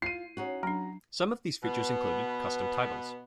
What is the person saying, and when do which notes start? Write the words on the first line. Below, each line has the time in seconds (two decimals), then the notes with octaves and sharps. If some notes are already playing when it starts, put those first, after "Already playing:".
Some of these features included: Custom titles.
0.02 F4 C7 D#7
0.37 C#4 D#4 F#4
0.63 F#3 D4 A#5
1.63 B2 B3